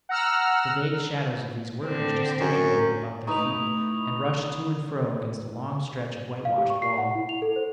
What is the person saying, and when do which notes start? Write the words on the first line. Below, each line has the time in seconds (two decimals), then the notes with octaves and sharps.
The vague shadows of these workers gesticulated about their feet, and rushed to and fro against a long stretch of white-washed wall.
0.09 F#5 A#5 E6 F6
1.84 D3 C4
2.41 F#2
3.27 A3 D#4 E4 B4 C#6 D#6 F7
6.45 F5
6.58 G4
6.70 C#6
6.82 C7
6.98 F#5
7.15 E4
7.29 F7
7.42 A4
7.56 C5